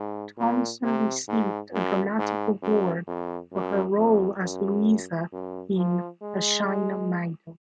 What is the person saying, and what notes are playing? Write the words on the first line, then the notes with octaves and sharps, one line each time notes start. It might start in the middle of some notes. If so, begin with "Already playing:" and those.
Thompson received a Dramatic Award for her role as Luisa in "A Shayna Maidel".
Already playing: G#2
A#2
C3
G#2
F#2
G#2
F#2
F2
F#2
F2
F#2
F#2
F3
G#3